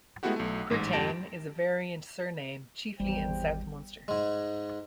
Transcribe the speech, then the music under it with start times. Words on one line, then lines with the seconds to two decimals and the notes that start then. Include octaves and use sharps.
Curtayne is a variant surname chiefly in south Munster.
0.23 G#3 A3 B3 E4 F#4 G4
0.36 B1 A3
0.70 A1 G#2
0.93 F2 G#2 G4 A5 A#6 D7
3.00 G#1 E2 G3 C5 G5
4.08 G#2 G#3